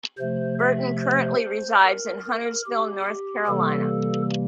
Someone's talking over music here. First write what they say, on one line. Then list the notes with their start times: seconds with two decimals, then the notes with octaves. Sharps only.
Burton currently resides in Huntersville, North Carolina.
0.18 C3 F3 A3 C5
0.60 E5
1.01 C5
1.82 A#4
2.25 A#4
2.65 G4
3.06 G4
3.47 C3 E3 G3 A#3 A4